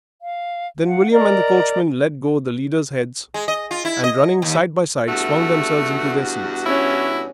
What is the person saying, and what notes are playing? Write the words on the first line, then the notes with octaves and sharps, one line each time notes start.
Then William and the coachman let go the leaders' heads, and running side by side swung themselves into their seats.
F5
F5 F#5
A#4 D5 D#5
G#3
D#5
F4
E4
D#5
D#2
E2 G2 A3 F#4
C#4 E4